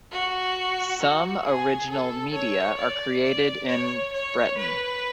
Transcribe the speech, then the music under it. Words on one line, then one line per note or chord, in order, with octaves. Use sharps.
Some original media are created in Breton.
F#4
F#4
G#4
A4
C#5
D5
D5
C#5
C#5
B4